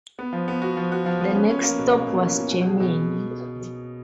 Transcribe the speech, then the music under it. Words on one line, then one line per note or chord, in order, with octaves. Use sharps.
The next stop was Germany.
B3
F3
B3
F#4
F3
F#4
F3
B3
C#4
C#4
A#3
B2
A#3
B2
C#4
B2
B2
G#4
B2